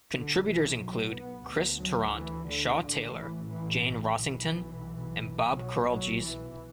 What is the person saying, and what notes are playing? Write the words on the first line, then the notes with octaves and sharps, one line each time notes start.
Contributors include Chris Tarrant, Shaw Taylor, Jane Rossington and Bob Carolgees.
B1 B2 D3
E3
F#3
B3
D2
F#3
E3
D3
A1 A2 D3
E3
E3
E3
B1 B2 E3
B1 B2 F#3
F#3
E3